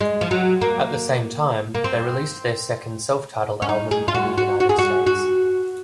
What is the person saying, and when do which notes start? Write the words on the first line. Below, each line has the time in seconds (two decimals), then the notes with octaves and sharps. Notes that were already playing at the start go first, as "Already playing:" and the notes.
At the same time, they released their second self-titled album in the United States.
0.01 G#3
0.21 F3
0.31 F#3
0.61 A#3
1.75 A#3
1.84 C4
3.62 C#4
3.69 D#4
3.91 G#4
4.08 F4
4.15 F#4
4.38 F#4
4.60 F#4
4.69 G#4
4.78 F#4
5.07 F#4